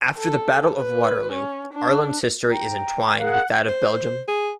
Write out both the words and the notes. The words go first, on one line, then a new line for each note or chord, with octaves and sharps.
After the Battle of Waterloo, Arlon's history is entwined with that of Belgium.
A4
B4
C#4
D4
G5 A#5
G#4 A#4 F5 F#5
C5
G#4